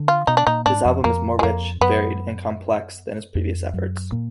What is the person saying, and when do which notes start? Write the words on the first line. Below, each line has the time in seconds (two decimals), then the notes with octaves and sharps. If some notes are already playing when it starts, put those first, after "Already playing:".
This album is more rich, varied, and complex than his previous efforts.
Already playing: D3
0.08 F4
0.27 B2 D#4
0.37 D4
0.47 A#2 D#4
0.66 G#2 D4
0.85 F2
1.04 F2 A#3
1.39 G#3
1.43 F2 A#3
1.81 F#2 B3
3.35 F2
3.73 F#2
4.12 A#2